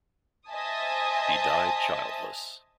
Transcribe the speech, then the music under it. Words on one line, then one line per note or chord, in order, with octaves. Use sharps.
He died childless.
C5 D#5 E5 G#5 A5 D#6